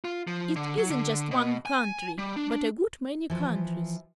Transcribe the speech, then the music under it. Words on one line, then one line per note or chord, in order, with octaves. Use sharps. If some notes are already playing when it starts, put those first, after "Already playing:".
"It isn't just one country, but a good many countries."
F4
F3
D3
F#3
D3
B2
G#5
G3
D4
D4
E3 F3